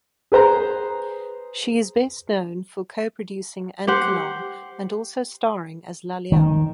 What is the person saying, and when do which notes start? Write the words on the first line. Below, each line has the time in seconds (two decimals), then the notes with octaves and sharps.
She is best known for co-producing "Ancanar" and also starring as Laliel.
0.32 G#4 B4 C5 A#5
3.87 G4 C5 F#5
6.32 D#3